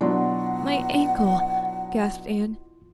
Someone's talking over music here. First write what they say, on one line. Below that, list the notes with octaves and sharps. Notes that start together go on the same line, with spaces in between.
"My ankle," gasped Anne.
B2 F#3 D4 E4 F4 F#5 C6